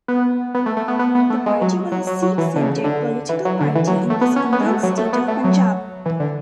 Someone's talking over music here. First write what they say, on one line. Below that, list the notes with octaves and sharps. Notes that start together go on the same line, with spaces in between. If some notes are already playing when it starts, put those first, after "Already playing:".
The party was a Sikh-centered political party in the Indian state of Punjab.
B3
B3
A3
A3
B3
B3
B3
A3
G#3
F#3
F#3
F#3
F#3
E3
D3
C#3
D3
E3
F#3
D3
E3
F#3
A3
B3
C#4
B3
G#3
A3
F#3
A3
B3
A3
F#3
E3
D3